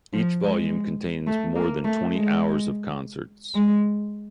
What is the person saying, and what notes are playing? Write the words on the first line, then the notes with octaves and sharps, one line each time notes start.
Each volume contains more than twenty hours of concerts.
F3
G#3
A3
A#3
A3
G#3
G#3